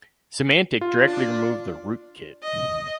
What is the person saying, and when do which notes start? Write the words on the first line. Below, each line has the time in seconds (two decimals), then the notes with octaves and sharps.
Symantec directly removed the rootkit.
0.81 F4
1.07 D4
2.43 D#5